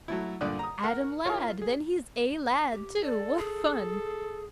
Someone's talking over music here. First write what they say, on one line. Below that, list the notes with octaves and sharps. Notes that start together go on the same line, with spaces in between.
"Adam Ladd! then he's A. Ladd, too; what fun!"
F#3 A3 E4
G2 A#2 D3 D5 D#6 F#6
A#5 D#6
A#4 F#5
E4 F4 A#4 C#5
G#4
G4
A4 D5
G#4
A4